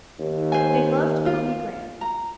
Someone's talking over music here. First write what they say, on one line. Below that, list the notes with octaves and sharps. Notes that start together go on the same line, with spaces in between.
They loved pony Grant.
D#2
C5 G#5
F4
A#5